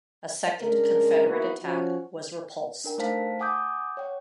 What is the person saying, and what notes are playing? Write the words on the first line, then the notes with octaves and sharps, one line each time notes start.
A second Confederate attack was repulsed.
C#3 G#3 D4 A#4
A#3 B3 D#4 E4 F#4 B4
F3 C#4 F#4
D4 A#4 G5
A3 D#4 C5 F5 A5 B6
F#5 G#5 D6 D#6 G6
C#5 F#5 G5